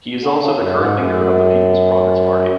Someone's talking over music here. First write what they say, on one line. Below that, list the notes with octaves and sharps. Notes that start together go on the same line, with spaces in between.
He is also the current Leader of the People's Progress Party.
D3
C#3
F#2
G#2
F#2